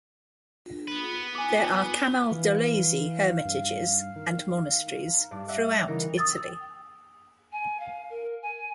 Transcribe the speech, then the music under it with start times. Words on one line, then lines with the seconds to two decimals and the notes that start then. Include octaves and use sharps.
There are Camaldolese hermitages and monasteries throughout Italy.
0.88 B3 B4
1.35 G#5 D6
2.32 E3 F5
3.45 G2
4.16 D#3
5.31 G2 D5
5.48 D5 E5 F#5
5.87 C#3 E3 D#4 A#4
6.18 D#6 E6 A6
7.52 G#5
7.80 F5
8.10 A#4
8.42 G#5